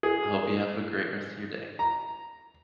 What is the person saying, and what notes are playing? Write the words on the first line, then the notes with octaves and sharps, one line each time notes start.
I hope you have a great rest of your day.
G#4
A#5